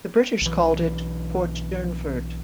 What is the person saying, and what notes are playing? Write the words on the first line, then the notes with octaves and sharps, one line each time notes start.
The British called it "Port Durnford".
B1 E3